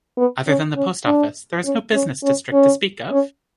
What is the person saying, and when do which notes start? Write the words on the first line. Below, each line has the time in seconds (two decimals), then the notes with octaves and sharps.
Other than the post office, there is no business district to speak of.
0.17 B3
0.47 C#4
0.76 C#4
1.06 D4
1.64 C#4
1.94 C#4
2.23 C#4
2.53 C#4
3.11 C#4